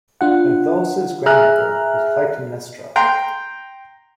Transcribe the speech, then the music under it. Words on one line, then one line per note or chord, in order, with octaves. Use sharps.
Penthilus' grandmother was Clytemnestra.
D4 F4 F#5
G#4 E5 A#5 F6 F#6
G5 A#5 C6